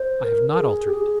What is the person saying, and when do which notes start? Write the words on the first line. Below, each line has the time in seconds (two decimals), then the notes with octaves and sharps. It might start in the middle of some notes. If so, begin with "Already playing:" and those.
"I have not altered it."
Already playing: C5
0.24 A#4
0.50 A#4
0.59 G#4
0.87 G4
0.94 G#4